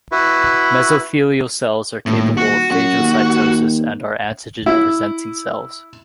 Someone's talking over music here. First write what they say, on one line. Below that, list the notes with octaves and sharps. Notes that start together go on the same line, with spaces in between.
Mesothelial cells are capable of phagocytosis and are antigen presenting cells.
E4 F#4 B4
D#1 A2
F#4
F#2 F#4
D#2
E4